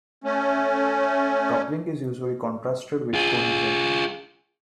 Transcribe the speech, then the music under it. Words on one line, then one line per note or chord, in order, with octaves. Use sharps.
Coupling is usually contrasted with cohesion.
A3 C#4
F4 G#4